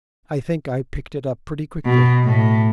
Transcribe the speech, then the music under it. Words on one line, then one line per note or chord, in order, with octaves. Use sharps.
'I think I picked it up pretty quickly.
B2
A2